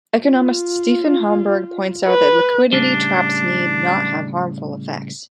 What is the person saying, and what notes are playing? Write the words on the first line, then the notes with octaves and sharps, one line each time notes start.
Economist Stefan Homburg points out that liquidity traps need not have harmful effects.
F4
B4
A2 C#3 G3 D4